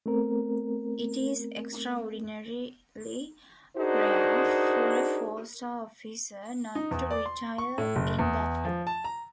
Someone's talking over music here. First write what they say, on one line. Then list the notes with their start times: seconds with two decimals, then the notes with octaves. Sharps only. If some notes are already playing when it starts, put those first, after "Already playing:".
It is extraordinarily rare for a four-star officer not to retire in that grade.
0.06 A3 B3 C4 A#4
3.77 D4 D#4 F#4 G#4 A#4 C5
6.75 D#4
6.91 E2
7.11 D5
7.26 C6
7.58 C#6
7.78 A2
7.96 F#1
8.19 E2
8.65 F3
8.87 A5
9.04 A#5